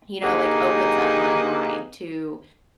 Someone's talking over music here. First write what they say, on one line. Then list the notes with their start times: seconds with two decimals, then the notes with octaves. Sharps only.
you know, like, opens up my mind to
0.23 D3 A#3 D#4 G4 G#4 B4